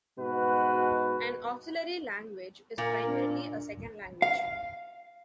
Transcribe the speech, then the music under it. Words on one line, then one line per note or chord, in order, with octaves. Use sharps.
An auxiliary language is primarily a second language.
G#2 B2 F#4 B4
A#2 A#4
D4
F5